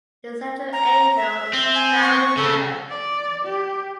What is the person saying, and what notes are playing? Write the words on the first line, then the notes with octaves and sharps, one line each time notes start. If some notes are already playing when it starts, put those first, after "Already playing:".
The central angel is crowning her.
A#5
E5
C4
G#5
C#6
C#3 A4
D5
G4